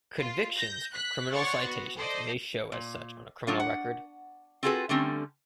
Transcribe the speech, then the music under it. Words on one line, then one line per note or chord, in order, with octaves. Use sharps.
Convictions for criminal citations may show as such on a criminal record.
F4
G6 A#6
F#6 B6
C#5 D5 F#5 C6 C#6 A6
B3 F#4
A4 C5 D5 D#5
A#2
F#3 D4 F4
F#5
C4 F4 F#4 G#4 A4 B4
D3 G3 A3 C4 C#4